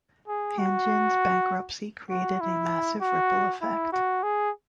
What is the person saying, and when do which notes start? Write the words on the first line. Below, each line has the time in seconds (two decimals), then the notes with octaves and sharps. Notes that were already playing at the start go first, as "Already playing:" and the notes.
Hanjin's bankruptcy created a massive ripple effect.
0.28 G#4
0.58 F#4
2.10 F#4
2.41 E4
3.01 F#4
3.62 E4
3.93 F#4
4.23 G#4